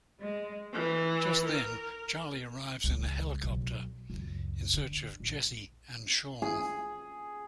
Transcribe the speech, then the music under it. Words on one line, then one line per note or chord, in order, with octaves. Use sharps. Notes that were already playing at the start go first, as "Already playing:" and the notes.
Just then Charlie arrives in a helicopter in search of Jessie and Sean.
G#3
E3
A#4
C#2 G#3
B1
C#2 F#2
D3
A#1
G#4